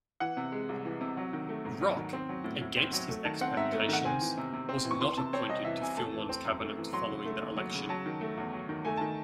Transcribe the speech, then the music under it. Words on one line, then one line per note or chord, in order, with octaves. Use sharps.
Roch, against his expectations, was not appointed to Filmon's cabinet following the election.
E3 F#5
C3
G#3
C2
E3
C3
F#3
D#3
A3
G#2
F#3
D#3
C4
F#3
A2
A2
C4
F#3
A3
D#3 A5
C4 F#5
G#2 E5
A3
D#3 F#5
C4 G#5
E3
C3
C3
C4
E3
C#6
E3 C6
C3 A5
C4 C#5
C2 D#5
E3 E5
C3 G#5
A3 A5
E3
C4
F#2
A3
E3
F#3 C6
C#3
A3
D#2
F#3
C#3
F#3 A5
D#3
A3
E2
F#3
D#3
A3 G#5
D#3 A5